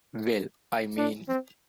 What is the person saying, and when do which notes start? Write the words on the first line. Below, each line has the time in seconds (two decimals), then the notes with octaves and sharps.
Well, I mean!
0.98 D4
1.28 C4